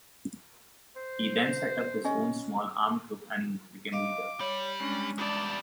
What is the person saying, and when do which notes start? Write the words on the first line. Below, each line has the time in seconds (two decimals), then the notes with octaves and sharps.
He then set up his own small armed group and became leader.
0.96 C5
2.05 C#4 D#5
3.92 D#5 F5 D6
4.40 G3 C#5
4.80 G#3 C#4 D4
5.18 E2 G3 D5 A5